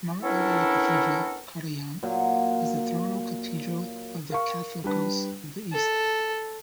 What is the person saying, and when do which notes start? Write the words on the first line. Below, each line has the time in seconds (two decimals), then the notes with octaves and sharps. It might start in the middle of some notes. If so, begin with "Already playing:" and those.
Mar Elia Cathedral, Kottayam is the Thronal Cathedral of the Catholicos of the East.
0.23 B3 C#4 D4 E4 A4 A#4
2.03 A#2 F#3
4.30 A#4 F5 C#6
4.84 G3 D4 B4
5.73 A4